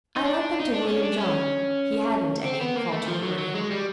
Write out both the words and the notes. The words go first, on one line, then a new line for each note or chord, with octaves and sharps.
"I lent them to William John--he hadn't any," faltered Bertie.
D#4
D4
D#4
D4
C#4
D4
C#4
C4
B3
A#3
A3
F3
F#3
F#3
G#3
G3